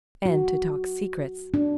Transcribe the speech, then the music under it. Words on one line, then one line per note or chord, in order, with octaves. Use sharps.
"And to talk secrets."
F#4
D4